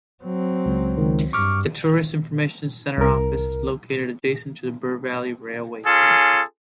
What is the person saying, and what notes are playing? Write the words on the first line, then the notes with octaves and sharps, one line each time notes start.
The Tourist Information Centre office is located adjacent to the Bure Valley Railway station.
F#3 C4
C#2
C#2 D#3
G2 C#6 D6 F6
C2 A#4
C#4 F4 G#4 A4